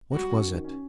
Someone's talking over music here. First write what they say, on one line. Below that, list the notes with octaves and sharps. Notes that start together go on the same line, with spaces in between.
What was it?...
G3 F#4
C#4
D#3
C#4